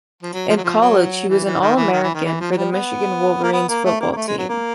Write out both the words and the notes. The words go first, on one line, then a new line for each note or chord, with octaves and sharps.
In college, he was an All-American for the Michigan Wolverines football team.
F3
F#3
F3
F#3
F3
F#3
E3
E3
D#3
E3
D#3
E3
D#3
E3
F3
F#3
G3
B3
A#3
B3
A#3
A3
A#3
A#3
A3
G#3
F#3
A#3